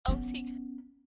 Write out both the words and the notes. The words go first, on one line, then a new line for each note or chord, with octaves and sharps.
Oh, is he
B3 C#4